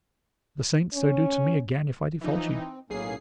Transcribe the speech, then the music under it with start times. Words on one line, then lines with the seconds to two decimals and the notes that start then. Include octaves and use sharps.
The saints so do to me again if I default you.
0.94 C#4
2.21 E3 F3 D#4
2.57 C4
2.90 B1 A2 A#3 C#4 G#4 C7